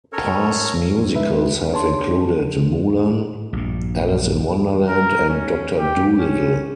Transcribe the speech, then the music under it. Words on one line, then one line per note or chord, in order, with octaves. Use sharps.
Past musicals have included "Mulan", "Alice in Wonderland", and "Doctor Dolittle".
C#4 A4 A#4 C#5
G#3 D#4 B4 E5
D4 C#5 A5 C6
A#1 G2
A#4
C#4
G4
C#4